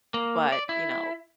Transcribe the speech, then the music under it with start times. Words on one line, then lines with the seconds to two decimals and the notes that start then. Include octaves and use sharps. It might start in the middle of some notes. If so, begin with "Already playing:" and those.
but, you know
0.14 A#3
0.52 D5
0.69 E4